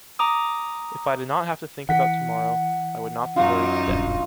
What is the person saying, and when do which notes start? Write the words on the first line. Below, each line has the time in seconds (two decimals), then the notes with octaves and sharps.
If I did not have to think about tomorrow, I would not be worried today.
0.19 A#5 D6 D#6
1.89 E3 F#5 B6
3.36 F#2 D#4 F4 C#6
3.88 D#1 B1 G2